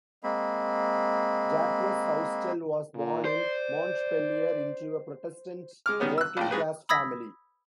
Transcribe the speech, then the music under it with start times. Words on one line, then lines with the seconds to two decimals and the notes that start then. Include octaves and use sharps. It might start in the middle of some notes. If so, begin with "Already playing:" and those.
Jacques Soustelle was born in Montpellier, into a Protestant working-class family.
0.23 G#3 A#3 C4 B5
2.95 A#2
3.25 C5 D5
5.86 G#3 D6 F6
6.00 D#3 G3 B3 C#4
6.18 E6 F#6
6.37 A#1 A2 G5
6.51 G#2 G#4 B4
6.89 B5 D#6 E6 G#6 A#6 B6